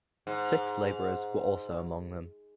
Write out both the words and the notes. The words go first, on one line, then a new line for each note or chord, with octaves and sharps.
Six laborers were also among them.
G#2